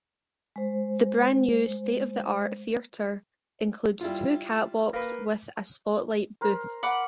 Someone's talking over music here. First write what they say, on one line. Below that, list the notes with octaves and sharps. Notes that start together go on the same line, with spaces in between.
The brand new, state-of-the-art theatre includes two catwalks with a spotlight booth.
G#3 C5
G3 E4 F4
A#3 B4
A#4 C5
F#5 B5 D6